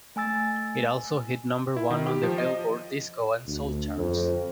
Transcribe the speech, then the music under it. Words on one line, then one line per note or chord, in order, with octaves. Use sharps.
It also hit number one on the "Billboard" Disco and Soul charts.
A3 G#5 E6 A6
E4
D#3
G4
F3
D#5
D2
F2